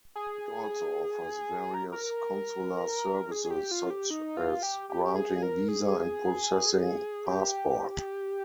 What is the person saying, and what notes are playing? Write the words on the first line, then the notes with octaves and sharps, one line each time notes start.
It also offers various consular services, such as granting visa and processing passport.
G#4
A#4
A#4
G#4
G#4
G4
F4
G4
D#4
F4
G4
G4
G#4
A#4
G#4
G4